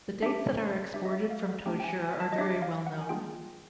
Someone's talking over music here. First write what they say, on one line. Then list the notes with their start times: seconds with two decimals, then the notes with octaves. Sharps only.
The dates that are exported from Tozeur are very well known.
0.22 D4 G4 E5
0.94 D4 G4 E5
1.05 D#5
1.12 E5
1.30 F5
1.49 F#5
1.66 A3 D4 G4 G5
1.80 G5
1.84 G#5
2.02 G#5
2.20 A5
2.33 D#5
2.38 D4 G4 E5
2.62 F5
2.87 F#5
3.01 G#5
3.09 A#3 D4 F4 G#4 G5